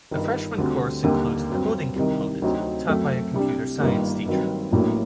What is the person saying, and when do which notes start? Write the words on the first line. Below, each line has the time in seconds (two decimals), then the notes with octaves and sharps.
The freshman course includes a coding component taught by a computer science teacher.
0.11 G1 G2 D#3
0.58 D2 D3 G3 C4
1.04 D#2 D3 G3 A#3
1.50 G2 F#3 C4
1.96 C2 C3 D#3
2.42 D2 C3 F#3 C4 D#4
2.88 F#2 F#3 A3 C4
3.34 C2 C3 G3 D4
3.80 G1 G2 D#3 G3 A#3
4.25 G2 D#3 F#3 C4
4.72 A1 A2 F#3 A#3 D4